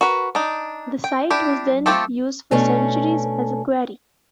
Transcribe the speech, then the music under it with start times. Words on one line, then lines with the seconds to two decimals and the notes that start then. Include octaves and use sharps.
The site was then used for centuries as a quarry.
0.01 F#4 A#4 B4
0.35 D4 D#4
1.04 G5
1.30 D4 E4 G4
1.86 A3 C4 F4 G4 A4
2.51 B2 A3 C#4 D4